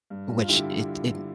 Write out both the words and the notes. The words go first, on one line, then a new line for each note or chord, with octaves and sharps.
which it it
G2
G2
F4
D3 E4 G4